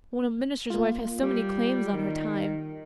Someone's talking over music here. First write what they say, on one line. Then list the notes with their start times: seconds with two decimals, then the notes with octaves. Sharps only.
When a minister's wife has so many claims on her time!
0.70 A#3 F4
1.21 G3
1.93 D#3